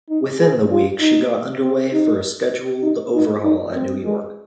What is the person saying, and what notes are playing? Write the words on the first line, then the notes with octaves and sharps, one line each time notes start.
Within the week she got underway for a scheduled overhaul at New York.
D#4
G#4
F4
D#4
C4
D#4
D#4
D#4
D#4
C4
G#3